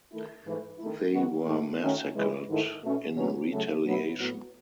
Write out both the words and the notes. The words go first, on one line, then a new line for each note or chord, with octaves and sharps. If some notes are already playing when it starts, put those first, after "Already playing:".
They were massacred in retaliation.
D#3 A3 E4
G#2 E3 A3
D#3 A3 E4
F#2 D#3 G#3 B3 F#4
G#2 D#3 A3
D#3 A3 C#4 F#4
C#3 E3 G#3
G#2 D#3 A3 E4
B2 A3 C#4
E2 B2 F#3 C#4
C#3 F#3 A3
B2 F#3 B3 E4
A2 F#3 B3